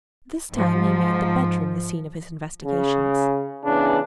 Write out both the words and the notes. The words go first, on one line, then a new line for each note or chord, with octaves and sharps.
This time he made the bedroom the scene of his investigations.
G#2 F3
C#3
C#3 E3 B3 D4